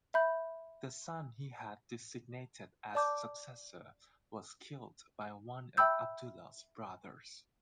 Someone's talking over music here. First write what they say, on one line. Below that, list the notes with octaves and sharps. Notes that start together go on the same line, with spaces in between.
The son he had designated as successor was killed by one of Abdullah's brothers.
E5 B5 G6
D5 A5 D6 G6
E5 G5 B5 E6 G6